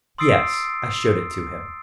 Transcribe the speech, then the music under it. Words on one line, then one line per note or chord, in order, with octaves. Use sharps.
"Yes; I showed it to him."
C6 D#6 E6 A6 C7 D7